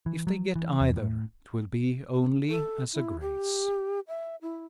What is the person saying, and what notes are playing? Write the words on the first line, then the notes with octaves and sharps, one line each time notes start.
If they get either, 'twill be only as a grace.
E3
F#3
E3
E2
A2
A4
E4
G4
E5
E4